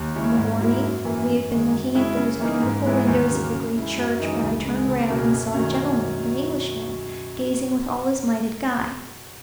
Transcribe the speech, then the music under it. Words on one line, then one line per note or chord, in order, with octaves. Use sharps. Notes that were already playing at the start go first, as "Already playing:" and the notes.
In the morning, we had been looking at those beautiful windows of the great church, when I turned round, and saw a gentleman--an Englishman--gazing with all his might at Guy.
Already playing: D#2
C#3 G#3 C#4 E4
G#2
F#3 A#3 E4
F#2
E3 A#3
F#2
D#3 G#3
F#2
C#3 G#3 C#4 E4
C#3
E3 A#3 D#4
G#2
E3 G#3 B3 E4
D#2
C#3 F#3 A#3
C#3
G#3 C#4 E4
F#2
E3 G#3 D#4
C#2
C#3 G#3
C#2
B2 A#3 C#4
F#2
D#3 F#3 C#4